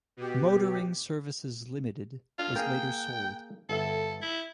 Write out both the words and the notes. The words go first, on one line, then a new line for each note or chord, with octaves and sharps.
Motoring Services Limited was later sold.
B2 G4
D4 F4
A#3 G#4 F5 G5
G1 A4 E5
E4